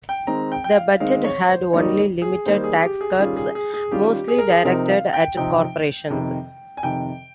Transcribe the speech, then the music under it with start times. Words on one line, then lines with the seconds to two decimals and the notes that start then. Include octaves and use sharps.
The budget had only limited tax cuts, mostly directed at corporations.
0.09 G5
0.27 D#3 G#3 C4 A#5
0.52 G5
0.64 G5
0.76 F5
1.00 D#3 G#3 C4 F5
1.24 C#5
1.49 C5
1.73 D#3 G3 A#3 D#4 C#5
2.22 G#4
2.46 D#3 G3 A#3 D#4 C5
2.64 G#4
2.82 G4
3.01 G#4
3.19 D#3 G3 C#4 F4 G#4
3.37 G#4
3.55 G#4
3.74 G#4
3.91 D#3 G3 C#4 F4 G4
4.28 G#4
4.38 A#4
4.49 G#4
4.64 C3 F3 C4 D#4 A#4
4.89 F5
5.13 G5
5.37 C3 F3 C4 D#4 G5
6.10 F2 C3 D#3
6.77 G#5
6.83 F2 C3 D#3 G5